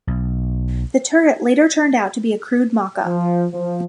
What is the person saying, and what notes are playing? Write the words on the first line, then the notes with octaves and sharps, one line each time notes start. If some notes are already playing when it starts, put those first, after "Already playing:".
The turret later turned out to be a crude mock-up.
B1
F3
F3